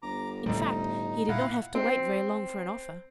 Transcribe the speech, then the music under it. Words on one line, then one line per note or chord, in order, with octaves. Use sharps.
In fact, he did not have to wait very long for an offer.
G1 A#5 D6
A2 D3 G3 D#4
A#2 E4 F5 F#5
C4